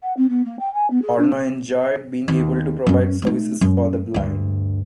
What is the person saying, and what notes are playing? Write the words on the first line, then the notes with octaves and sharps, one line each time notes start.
Horner enjoyed being able to provide services for the blind.
F#5
C4
B3
A#3
G5
G#5
B3
G#4
D4
D#2
F#2 C#4
A3 D#4
F#2
D2 G2